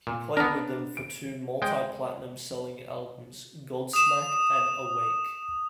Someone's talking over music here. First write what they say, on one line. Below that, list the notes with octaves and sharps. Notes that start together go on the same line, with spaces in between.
He played with them for two multi-platinum selling albums, "Godsmack" and "Awake".
A#2
B3 D4 A#4
D7
G#3 G5
D#6 E7